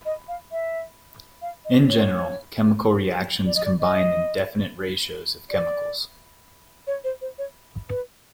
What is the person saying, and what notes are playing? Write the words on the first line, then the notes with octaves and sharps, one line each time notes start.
In general, chemical reactions combine in definite ratios of chemicals.
D#5
F5
E5
F5
D#5
C#5
D5
D#5
D5
D#5
D5
C#5
C5
C5
C#5
B4